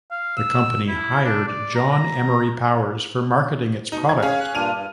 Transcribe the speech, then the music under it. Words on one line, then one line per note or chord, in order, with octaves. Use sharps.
The company hired John Emory Powers for marketing its product.
F5
E6
E4
D4
D5
A#5
A#5
B2 D#4
E3 G#6
C#4 G#4 F5
F#6
G2 A#2 D4 F6 D#7 F7
G2